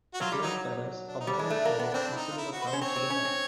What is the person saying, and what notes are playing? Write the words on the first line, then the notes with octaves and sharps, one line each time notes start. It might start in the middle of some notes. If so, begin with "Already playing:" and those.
The tail feathers are very short and similar colour to the back.
F#4
F#3 F4
G3
F#3 D#4
D4
D#4
G3 D4
G#3
A3
A#3
B3
C4 D4
E4
D#4
F4
E4
F#4
B4
C5
C#4
C4 C#5
C4
C#4
C4